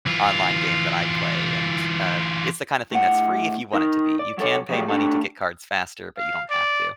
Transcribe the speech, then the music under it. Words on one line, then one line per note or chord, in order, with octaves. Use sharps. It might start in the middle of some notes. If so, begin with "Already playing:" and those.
online game that I play, and, uh, it's the kind of thing that's free if you want it to be. You can pay money to get cards faster, but you don't have to.
E3 F4
A2 F#5
D#4 A#4
D5
F#3 A4 C#5
F3 F#3 G#3 A3 G4
A3 D4 G4 A4
F5
D5